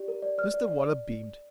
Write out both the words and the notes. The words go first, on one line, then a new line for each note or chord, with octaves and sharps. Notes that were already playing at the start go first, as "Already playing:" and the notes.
Mr Waller beamed.
Already playing: G4 D5
A#4
D5
D5 F6
D5
D5